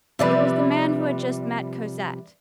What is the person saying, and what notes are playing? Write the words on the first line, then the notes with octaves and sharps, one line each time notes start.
It was the man who had just met Cosette.
C3 F3 G3 B4 D5 E5